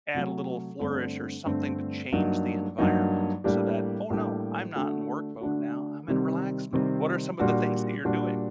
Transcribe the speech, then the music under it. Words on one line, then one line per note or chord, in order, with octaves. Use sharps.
add a little flourish or something to change the environment so that, "Oh, no, I'm not in work mode now, I'm in relax mode." What are some of the things that you're doing?
C3 F#3 A3
G2 D3 A3 C4
G2 D3 A3 C4
G2 F#3 A#3 D#4
G2 F#3 A#3 D#4
A2 G3 A#3 D4 G4
A2 G3 A#3 D4 G4
D3 A3 D4 F#4
D3 A3 D4 F#4
C3 D#3 G3 C4
C3 D#3 G3 C4
A#2 G3 D4 F#4
A#2 G3 D4 F#4